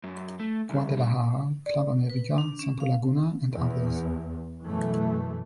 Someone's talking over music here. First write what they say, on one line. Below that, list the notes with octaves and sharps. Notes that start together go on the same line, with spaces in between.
Guadalajara, Club America, Santos Laguna and others.
F#2
A3
C2
G2
D5
B4
D4
C#4
F5
E2
F#2 B2 E3 A3